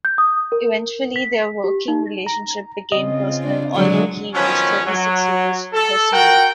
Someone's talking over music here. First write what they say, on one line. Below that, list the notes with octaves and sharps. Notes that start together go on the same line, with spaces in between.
Eventually their working relationship became personal although he was thirty-six years her senior.
G6
D#6
A#4
B6
G4
D#4
A#5
C#3 C4 F4 D#5
D4
D3 F#3 G#3
D#3 F3 F#3 B3 C#4
F#3
A4
F#4 A#4 F#5 G5